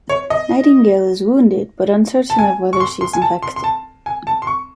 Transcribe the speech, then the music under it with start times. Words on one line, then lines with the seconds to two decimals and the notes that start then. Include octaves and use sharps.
Nightingale is wounded but uncertain of whether she's infected.
0.10 C#5
0.30 D#5
2.30 A5
2.39 G#5
2.73 C#6
2.80 C6
3.01 C6
3.13 G#5
3.22 A5
3.43 C6
3.56 C6
3.64 A5
4.06 G#5
4.27 A5
4.42 C6
4.47 C#6